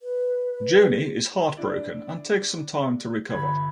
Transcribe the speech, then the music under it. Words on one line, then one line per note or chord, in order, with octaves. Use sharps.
Joanie is heartbroken, and takes some time to recover.
B4
D4 E4 D5
G1 E3 B5 G#6